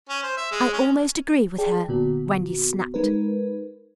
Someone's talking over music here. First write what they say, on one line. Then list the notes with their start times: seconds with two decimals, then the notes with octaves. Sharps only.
'I almost agree with her,' Wendy snapped.
0.09 C#4
0.23 C5
0.37 E5
0.51 G#3
0.73 C#4
1.58 G#4 D5 G5 A5
1.88 A#2 D3 B3 F#4
2.94 G#3 D#4 A#4 B4